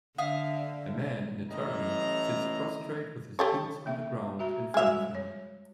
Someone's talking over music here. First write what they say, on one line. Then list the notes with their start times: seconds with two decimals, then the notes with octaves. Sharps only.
A man in a turban sits prostrate with his boots on the ground in front of him.
0.18 D3 E5 F5 D#6
1.51 A1 A2 D#5 A#5
3.39 G4 A4 C#5
3.86 A#3 E5
4.39 F#4 E5 A#5
4.74 G3 G#3 F#4 G#4 E5
5.15 C#5